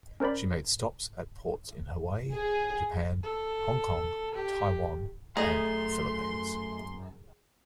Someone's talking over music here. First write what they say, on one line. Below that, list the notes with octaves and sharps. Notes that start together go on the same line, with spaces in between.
She made stops at ports in Hawaii, Japan, Hong Kong, Taiwan and Philippines.
C#4 A#4 C5 D5 B5
G#4
A4
G4
F#2 A3 G#4 D#5 A#5 C6